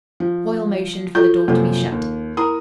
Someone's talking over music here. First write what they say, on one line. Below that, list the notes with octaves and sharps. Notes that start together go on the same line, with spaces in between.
Foyle motioned for the door to be shut.
F3
F4 F#4 A4 G6
F#2 C3 F3 A#3 A4
D#2
E4 A#4 A#5 D#6